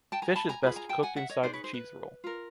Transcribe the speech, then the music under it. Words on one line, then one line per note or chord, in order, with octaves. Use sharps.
Fish is best cooked inside the cheese roll.
G5 A5
G#5 A#5
A5 B5
G#5 A#5
F4 G#4 B4 B5
G#5 A#5
G5 A5
F#5 G#5
E5 F#5
C#5 D#5
D#4 G#4 B4 C5 D5
B4 C#5
C5
B4
F4 A#4